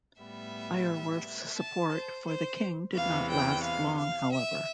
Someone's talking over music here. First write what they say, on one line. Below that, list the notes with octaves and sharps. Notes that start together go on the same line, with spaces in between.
Iorwerth's support for the king did not last long however.
A2 G3 B3 E5
A5
C5
C5
E2 C3 E3 F5
G5
F5
F5
E5